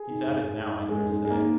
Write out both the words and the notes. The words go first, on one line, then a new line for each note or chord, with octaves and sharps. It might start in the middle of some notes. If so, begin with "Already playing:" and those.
He's at it now, I daresay.
Already playing: G#4
D#3
G#2
G#2
G#2
G#2
G#2 G#3
G#2
G#3
G#2
G#3
A#3
D#3